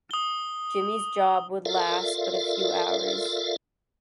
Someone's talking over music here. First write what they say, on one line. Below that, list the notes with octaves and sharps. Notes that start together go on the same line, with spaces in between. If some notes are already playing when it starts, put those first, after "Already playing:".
Jimmy's job would last but a few hours.
D#6 G7
F4 A4 A#4 D5 E5 F5